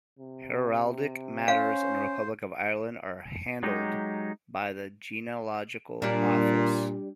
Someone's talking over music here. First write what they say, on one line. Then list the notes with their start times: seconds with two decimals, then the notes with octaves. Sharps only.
Heraldic matters in the Republic of Ireland are handled by the Genealogical Office.
0.19 C3
1.48 C#4 C5 F5
3.63 F#3 G#3 D#4 G4
6.02 A#2 G3 D4